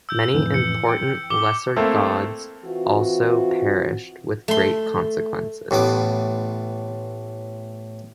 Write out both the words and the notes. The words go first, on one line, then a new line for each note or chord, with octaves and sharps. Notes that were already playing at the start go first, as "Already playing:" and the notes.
Many important Lesser Gods also perished, with great consequences.
E6 G6
F2 A2 E3
C#7
G5
D6 G7
A3 A#3 C4 E4 A4
E3 C4 F4 F#4
A3 C6
A1 A2 B3 D6